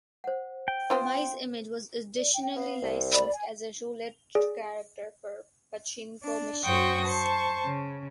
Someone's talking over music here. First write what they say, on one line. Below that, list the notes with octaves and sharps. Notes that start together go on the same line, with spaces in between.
Mai's image was additionally licensed as a roulette character for pachinko machines.
C5 F#5
G5
B3 C4 F4 C5
D5
G5
B3 F5
C2
D5 B5
G#5
G#4 D5
D4
F#2 F#4 C5 G5 C#6 D#6
C5 A5 C#6
C#3